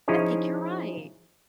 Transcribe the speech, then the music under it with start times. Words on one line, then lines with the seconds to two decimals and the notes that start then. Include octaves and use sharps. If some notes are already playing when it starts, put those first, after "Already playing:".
I think you're right.
0.08 F3 C#4 D#4 E4 G#4 C#5